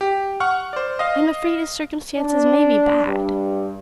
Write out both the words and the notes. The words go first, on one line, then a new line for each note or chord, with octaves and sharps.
I am afraid his circumstances may be bad.
G4
F#5 C#6 F6
C5 D5
D#5 F5
D4
G2